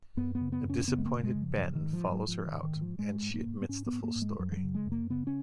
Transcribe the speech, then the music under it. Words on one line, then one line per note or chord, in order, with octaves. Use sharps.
A disappointed Ben follows her out and she admits the full story.
F#2 B3
B3
C#3
B3
F#2
C#4
C#3 B3
G#3
A#3
F#2
G#3
C#3
F3
G#2 F3
D#3
G#2
F3
G#2
F#3
G#2 F3
D#3
G#2
D#3
G#2
F3
G#2 G#3
G#2
A#3
G#2
B3
G#2 C#4
B3
G#2
A#3
G#2
G#3
F#2 F#3
F3
F#3
C#3
G#3
F#2
A#3
C#3 B3
C#4